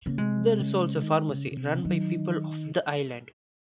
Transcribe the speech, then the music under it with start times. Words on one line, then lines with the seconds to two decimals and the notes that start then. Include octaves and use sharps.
There is also a pharmacy run by people of the island.
0.06 C#3 A#3
0.18 C3 G#3
0.59 C#3
1.02 D#3
1.29 C#3
1.52 C#3
1.57 C3
1.75 C#3
1.85 D#3 F#3